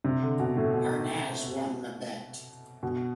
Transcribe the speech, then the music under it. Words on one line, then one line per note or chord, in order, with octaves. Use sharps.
Arnaz won the bet.
C3
D3
B2
A2
B2
B2